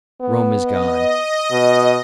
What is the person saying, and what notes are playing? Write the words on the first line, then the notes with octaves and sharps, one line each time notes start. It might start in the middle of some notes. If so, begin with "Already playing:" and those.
Rome is gone.
B3
D#5
B2